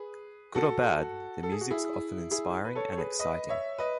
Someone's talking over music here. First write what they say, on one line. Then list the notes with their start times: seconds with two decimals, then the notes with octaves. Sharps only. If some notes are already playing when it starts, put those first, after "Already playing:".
Good or bad, the music's often inspiring and exciting.
Already playing: G#4 B4
0.55 F#4 A4
1.43 A4
1.52 G#4
1.61 F#4
1.70 E4 G#4
2.31 E4 G#4
2.65 B4
2.75 A4 C#5
2.92 C#5
2.97 G#4 B4
3.19 B4 D#5
3.49 C#5 E5
3.78 B4 D#5